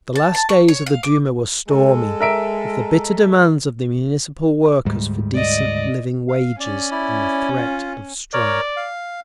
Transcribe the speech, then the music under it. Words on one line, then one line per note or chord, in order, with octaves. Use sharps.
The last days of the Duma were stormy with the bitter demands of the Municipal workers for decent living wages, and the threat of strikes....
A5
A5
C#6
C#5
F5
D6
G#3 A4
A#4 E5 D7
D2 G#2 G3
D5 D#5
F5
C#4 D5
E4 D5
F4
A#4 C#5 D5
F5